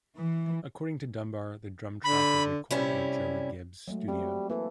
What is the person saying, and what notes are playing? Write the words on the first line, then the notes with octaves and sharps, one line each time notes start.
According to Dunbar, the drum track was recorded at Joe Gibbs studio.
E3
D3 B5
C3 G3 C#4 E4
F#3 G#3 A3
G3 C4 F#4
E3 A#3 A4